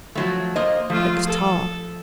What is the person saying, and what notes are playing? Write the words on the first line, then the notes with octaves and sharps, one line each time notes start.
It was Tall.
F3 F#3 A3
A#3 C5 D#5
F3 A3 F4
A4